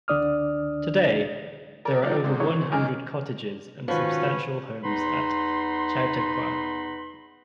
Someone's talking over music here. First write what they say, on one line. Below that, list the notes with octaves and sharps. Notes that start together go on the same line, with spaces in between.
Today, there are over one hundred cottages and substantial homes at Chautauqua.
C#2 D3 D4 D5 D#6 F6
A4 A#4 D5
D#3 F3 F#3 A#3 G4 D5
G#1 G#2 C3
E3 C#5
C4
F#2 D#3 G#3 D#5 G#5 D6 F6
G#2 D#3 F3 C#4 F#4 B4
E2 B3 D#4 B4 B5 C6